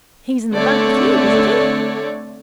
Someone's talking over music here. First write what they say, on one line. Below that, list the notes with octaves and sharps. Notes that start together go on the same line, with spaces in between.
He's in the bank with you, isn't he?'
D3 A3 C4 C#5 D5